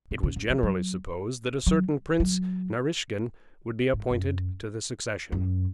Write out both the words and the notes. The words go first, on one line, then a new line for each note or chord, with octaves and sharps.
It was generally supposed that a certain Prince Naraskin would be appointed to the succession.
C3
C#3
C#3
F3
F#3
F#3
F#3
G#2
F#2
F#2